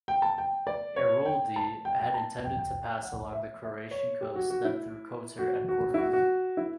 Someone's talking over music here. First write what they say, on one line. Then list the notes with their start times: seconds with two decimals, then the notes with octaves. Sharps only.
Airoldi had intended to pass along the Croatian coast then through Kotor and Corfu.
0.08 G5
0.22 A5
0.38 G5
0.67 D5
0.96 C#5
1.26 G5
1.56 A5
1.85 G5
2.00 G5
2.14 A5
2.44 G5
2.59 G5
3.03 F#5
3.33 E5
3.63 E5
3.91 C#5
4.21 G4
4.35 F#4
4.50 F#4
4.65 E4
5.39 F#4
5.69 F#4
5.94 E4
5.98 F#4
6.13 F#4
6.57 E4